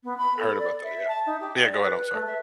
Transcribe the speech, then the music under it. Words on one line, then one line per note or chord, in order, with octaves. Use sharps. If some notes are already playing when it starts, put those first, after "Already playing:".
I heard about that, yeah. Yeah, go ahead, I'm sorry.
B3
B5
A4
D5
E5
A5
D#4
G4
D5
B4
A3
E5